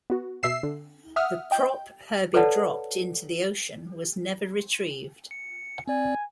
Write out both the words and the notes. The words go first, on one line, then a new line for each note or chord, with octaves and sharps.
The prop Herbie dropped into the ocean was never retrieved.
B3 F#4
B2 E5 E6 C7 E7
D3
E5 F#5 D#6 F6
D#5 G5 G6
A4 B4 C#5 D5 F#5 A5
C#7
C4 D5 G#5